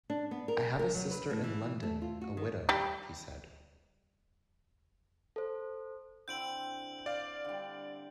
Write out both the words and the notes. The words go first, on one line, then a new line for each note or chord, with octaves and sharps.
"I have a sister in London, a widow," he said.
D4
B3
A#4
A#4
F#3
B4
A2
E3
A3
F4
F#4
D#3
G3 G4
A4 C5
D3 C4 E4 G6 D7 F#7
D5 F5
D3 G3